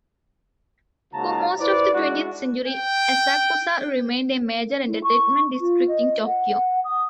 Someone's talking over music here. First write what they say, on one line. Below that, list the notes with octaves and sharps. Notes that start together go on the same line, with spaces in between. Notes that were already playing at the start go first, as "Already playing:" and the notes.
For most of the twentieth century, Asakusa remained a major entertainment district in Tokyo.
G#2 C#3 A#3 F#4 A5 A#5
E4 B4 C5 D5
G#3 D4 E4 F#4
G5
E4
C#6
F4
D#5
F#5
D#6